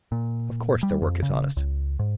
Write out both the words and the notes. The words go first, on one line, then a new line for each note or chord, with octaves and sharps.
Of course, their work is honest!
A#2
G3
F2
C#3
C#2
G#2